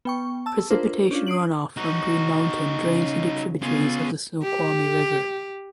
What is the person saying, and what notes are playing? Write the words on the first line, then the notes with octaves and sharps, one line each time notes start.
Precipitation runoff from Green Mountain drains into tributaries of the Snoqualmie River.
B3 G5 C#6
A5 E6
D4 F4 A#4 C5
C#4 D4 F4
D#6 C7 D7 F#7
D#4 F#4
C#3
C#3 B3 F4 G#4
G4